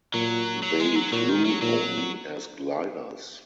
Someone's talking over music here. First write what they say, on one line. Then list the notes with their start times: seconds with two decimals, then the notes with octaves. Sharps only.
They flew only as gliders.
0.14 A#2 F#3
0.63 F#3
0.80 G#3
0.96 F#3
1.12 A#2 F#3
1.29 D#3
1.45 F#3
1.62 A#2 F#3